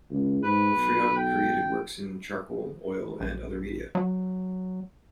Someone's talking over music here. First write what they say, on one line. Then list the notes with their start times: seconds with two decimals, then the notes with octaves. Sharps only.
Friant created works in charcoal, oil, and other media.
0.11 C#2
0.43 G#2 B4
0.73 B1
1.17 G5
3.20 A#1
3.95 F#3